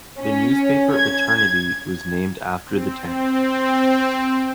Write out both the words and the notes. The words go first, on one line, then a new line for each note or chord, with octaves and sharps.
The newspaper "Eternity" was named after the tag.
C#4
G#6
C4
C4